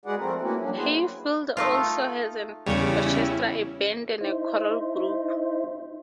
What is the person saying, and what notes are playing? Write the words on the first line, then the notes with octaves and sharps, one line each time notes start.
Hayfield also has an orchestra, a band and a choral group.
G#3 F#4 G#4 B4 D5 F#5
F3 A3 C4 A#4
A#3 B3 C#4 E4 F#4
F#3 G3 A#3 C#4 D4
A#3 E4 F#4 G#4 B4 C5
A3 D#4 F4
E2 C#3 G3 C#4 E4 C#5 G5
D#4 E4 C5